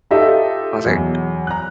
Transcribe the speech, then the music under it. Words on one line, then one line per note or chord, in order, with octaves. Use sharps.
I was like
D#4 F4 G4 A4 D#5 E5
E2 F#3
A#5 F#6